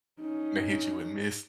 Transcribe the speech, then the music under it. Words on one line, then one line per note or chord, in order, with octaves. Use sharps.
They hit you and miss.
C#4 D#4